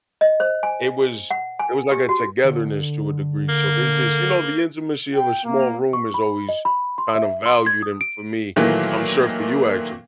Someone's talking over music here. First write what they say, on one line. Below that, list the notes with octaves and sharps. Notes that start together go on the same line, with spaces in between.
it was it was like a togetherness to a degree, so there's just, you know, the intimacy of a small room is always kind of valued and for me I'm sure for you actually.
D#5
C5
G#5
F#5
G#5
G4
F#4
D3
A#3
G5
A#3
C#6
B5
D#5
B5
C6
E5
C6
G#6
D#6
D7
A#2 D#3 E3 F#3 A3 A#3